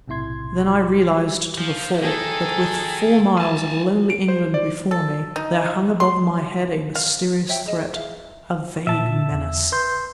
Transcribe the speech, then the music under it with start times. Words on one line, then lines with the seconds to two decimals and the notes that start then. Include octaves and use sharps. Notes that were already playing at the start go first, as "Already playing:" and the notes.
Then I realized to the full that with four miles of lonely England before me there hung above my head a mysterious threat--a vague menace.
0.08 B1 A2 C3 E4 C6 G#6
1.58 F3
2.02 D#3 G#4 A4
3.38 G#5 A5
4.10 D7
4.28 C5
4.54 D5
4.91 A4
5.36 D#4
6.00 C6
6.95 F5
7.48 C5 C#5 E5 G5
7.66 G#4 D#5
7.93 G#4 E5 F5
8.87 A#2 E5 A5
9.31 E2
9.72 B4 C6 G6